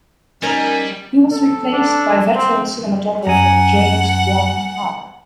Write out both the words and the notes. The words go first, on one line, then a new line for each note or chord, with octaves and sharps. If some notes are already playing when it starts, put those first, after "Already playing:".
He was replaced by veteran cinematographer, James Wong Howe.
G3 C#4 D#4 A#4 G#5
A4
D4
C4
F#2 F#5 G#5 A#5